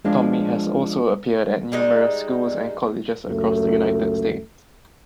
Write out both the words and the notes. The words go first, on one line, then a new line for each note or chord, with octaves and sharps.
Tommy has also appeared at numerous schools and colleges across the United States.
F3 G#3 D4
G3 G#3 D#4
C#2 F#2 A3